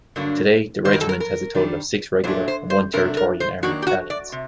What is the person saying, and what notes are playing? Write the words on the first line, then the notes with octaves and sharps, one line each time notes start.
Today, the regiment has a total of six regular and one Territorial Army battalions.
G2 D3 F#3 A#3 D4
F#2 D#3 F#3 C5
A#4
A4
A#4
A#4
D#3 G3 D4
A#2 F#3 A3 D4 C5
C5
C5
C3 F#3 A3 D4 A#4
A#4
C5
D#3 F#3 A#3 D4 F#4
G4
F#4
D5
C3